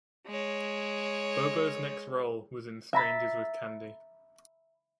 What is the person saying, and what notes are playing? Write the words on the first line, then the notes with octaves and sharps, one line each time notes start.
Bobo's next role was in "Strangers with Candy".
G#3 C#5
E5 A#5 B5 A6